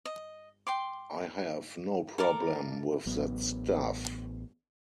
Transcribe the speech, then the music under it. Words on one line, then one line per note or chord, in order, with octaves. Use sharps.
I have no problem with that stuff.
D#5
G5 C6 D6
A4 A#4 D5 A#5
A1 F#3 B3